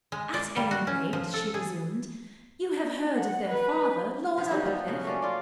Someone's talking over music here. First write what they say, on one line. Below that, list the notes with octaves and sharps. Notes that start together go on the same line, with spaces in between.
"At any rate," she resumed, "you have heard of their father, Lord Uppercliff?"
G#3
D5
G3
F#4
C#4
F3
A4
G#4
D4
F#5
B4
F3 B3
D#3 F#3 G3 G4
F3 G3 B3
C#3 F#3
A3 A#3 C#4 D5
F4 D5